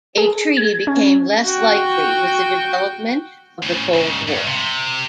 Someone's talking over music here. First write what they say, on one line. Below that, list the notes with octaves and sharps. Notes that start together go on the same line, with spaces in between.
A treaty became less likely with the development of the Cold War.
G#4
G#6
C#4
F#4 G5
A2 C#3
G#2 C#3
G2
C3